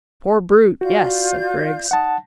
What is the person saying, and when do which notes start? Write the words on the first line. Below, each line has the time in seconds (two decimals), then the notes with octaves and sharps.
"Poor brute, yes," said Griggs.
0.81 F4 F#4 D5 G6
1.91 D#4 F#5 A5